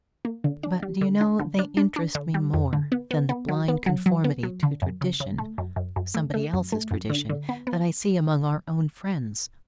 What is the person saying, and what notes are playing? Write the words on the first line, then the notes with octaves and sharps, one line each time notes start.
But, do you know, they interest me more than the blind conformity to tradition--somebody else's tradition--that I see among our own friends.
A#3
D3
D4
G3
D3
D4
D3
D4
D4
D4
D3
G3
F2
D3
B3
B3
B3
F#3
B3
F#3
F#3
B3
F#3
D3
F#2
C#3
C#3
A3
F#2
F#2
F#2
A3
A3
F#2
A3
F#2
D3
D3
B3
B3